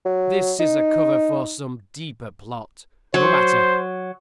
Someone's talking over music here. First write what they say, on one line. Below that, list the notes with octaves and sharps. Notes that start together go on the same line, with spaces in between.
This is a cover for some deeper plot; no matter.
F#3
D#4
F#3 C5